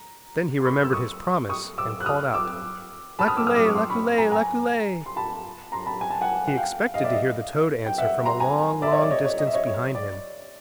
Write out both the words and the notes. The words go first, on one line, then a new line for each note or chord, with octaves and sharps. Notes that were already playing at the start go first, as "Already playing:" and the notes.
Then he remembered his promise and called out, "Laculay, laculay, laculay." He expected to hear the toad answer from a long, long distance behind him.
Already playing: A#5
C6
B5 C#6
E6
C#6 D#6
C#6 D#6
D6 E6
F#6
D#6 F6
D6 E6
A5 B5
D#6 F6
D6 E6
D#6 F6
D6 E6
C#6 D#6
C6 D6
B5 C#6
G#5 A#5
G#5 A#5
C6
A5 B5
A#5 C6
A5 B5
G#5
A5
F#5 G#5
F#5
F5 G5
D#5 F5
D5 E5
D#5 F5
G5
E5 F#5
A#5 C6
G#5 A#5
D5 E5
C#5 D#5
D5
C#5 D#5
C#5 D#5
D#5
E5
C#5 D#5
C#5
D5